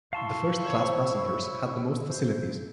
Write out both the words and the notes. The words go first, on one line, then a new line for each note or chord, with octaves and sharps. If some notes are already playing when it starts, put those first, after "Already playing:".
The first class passengers had the most facilities.
E4 F5 A5 C6 C#6
C5 C#5
C5